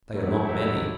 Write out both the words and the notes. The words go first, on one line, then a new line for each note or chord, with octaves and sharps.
They are not many.
D#3 F#3 G#3 A3 E4 G4